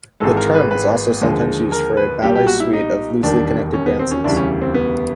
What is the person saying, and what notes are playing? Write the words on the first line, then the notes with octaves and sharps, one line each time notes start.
The term is also sometimes used for a ballet suite of loosely connected dances.
G#1 G#2 E3 G#3 A4
A#4
B4
B4
D#2 D3 F3 G#3
A#4
B4
B1 A#2 G3 G4
G4
F#4
E4
D#4
E1 D#2 D#3 G3 D4
C#4
B3
C4
C#4
E1 D2 C#3 E3 G3 D4
C#4
C4
B3